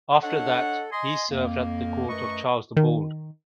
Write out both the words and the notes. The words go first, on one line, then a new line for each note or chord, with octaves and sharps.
After that, he served at the court of Charles the Bald.
D4 A4 C#5 D#5 F#5
D#5 G#5 C6
F2 A#3
F#2 A3 A#4 B4 D#5 C#6
D#3